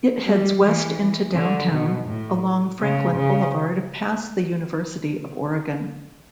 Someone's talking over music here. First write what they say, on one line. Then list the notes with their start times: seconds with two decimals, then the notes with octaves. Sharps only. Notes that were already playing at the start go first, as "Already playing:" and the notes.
It heads west into downtown, along Franklin Boulevard past the University of Oregon.
0.26 G3
0.63 E3
1.35 D3
1.71 B2
2.07 A2
2.80 C#3
3.16 C#3